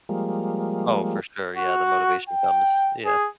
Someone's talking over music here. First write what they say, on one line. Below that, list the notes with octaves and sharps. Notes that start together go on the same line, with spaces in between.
I oh, for sure, yeah. The motivation comes, yeah.
F3 G3 G#3 A#3
F#4
G5
G#4